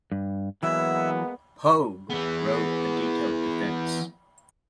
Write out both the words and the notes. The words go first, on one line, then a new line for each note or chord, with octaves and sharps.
Pogge wrote a detailed defense.
G2
E3 F#3 G#3 A#3 B3 E5
E3 B3 G#4